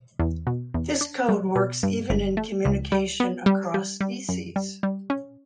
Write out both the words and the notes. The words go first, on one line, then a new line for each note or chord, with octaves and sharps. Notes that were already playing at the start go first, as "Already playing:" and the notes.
This code works even in communication across species.
E2
B2
E2
D4
G3
B2
G2
G1
A3
C#2
G3
B3
G3
G3
G3
F#2
G3
G3
C#4